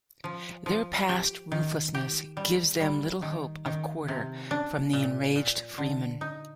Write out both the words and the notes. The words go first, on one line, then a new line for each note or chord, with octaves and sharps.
Their past ruthlessness gives them little hope of quarter from the enraged Fremen.
F3
F3
G4
D#3
G4
G3
G3
D#3
D#3
C3
D4
A#2
A#2
D3
D#4